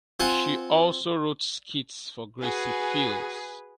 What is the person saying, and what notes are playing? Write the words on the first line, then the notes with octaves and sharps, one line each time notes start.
She also wrote skits for Gracie Fields.
C4 F4 C5 F#5 G#5
F#4 G#4 B4